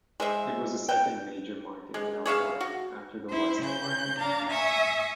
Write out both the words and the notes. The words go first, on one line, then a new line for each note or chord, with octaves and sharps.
It was the second major market in Melbourne, after the Western Market.
G#3 C5 E5
G5
G#3
G#4 C#5 E5 F5
F#4
E4 C5
C#3 G6
D4 F5 A#5
E5 G#5 C#6 D#6